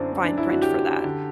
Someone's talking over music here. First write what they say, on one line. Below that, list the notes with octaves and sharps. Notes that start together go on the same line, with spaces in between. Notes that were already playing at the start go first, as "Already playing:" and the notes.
fine print for that.
Already playing: F#2 D3 C4 D4 E4
C4
D4
E4
F#4
G4
D3